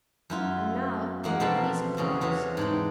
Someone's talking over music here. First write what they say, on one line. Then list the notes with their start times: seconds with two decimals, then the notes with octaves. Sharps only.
And now there were these cards.
0.30 F#2 E4 F4
1.24 E2 A#3 F#5
1.40 B2 F3 C4 A4 A5 B5
1.97 E2 C#3 C#4
2.21 E2 C3 E3 C#5
2.57 G#2 D4 G5